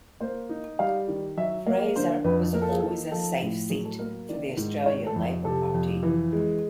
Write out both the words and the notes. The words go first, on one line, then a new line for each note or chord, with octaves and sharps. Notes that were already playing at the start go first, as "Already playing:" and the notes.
Fraser was always a safe seat for the Australian Labor Party.
A#3 C5
D#4
G3 F5
D#3
F#3 E5
A#3
D3 C5
F2 B4
A#3 A#4
A4
G#4
D#4 A4
F3 A4
A2
F#3 G#4
A4
A#3 A#4
D#3 D5
G#2
D#3 C#5
A4
F2
C3 A4
F2
E3
G#3